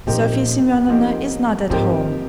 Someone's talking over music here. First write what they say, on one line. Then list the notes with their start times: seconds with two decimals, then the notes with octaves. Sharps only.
Sofya Semyonovna is not at home.
0.07 A#2 F3 C4 D#4 G4 A#4
0.88 F3 C4 D#4 G4 A#4
1.70 G#2 F3 C4 D#4 G4 A#4